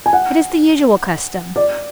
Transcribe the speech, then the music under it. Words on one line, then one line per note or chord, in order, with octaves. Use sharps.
'It is the usual custom.'
G#5
F#5
D5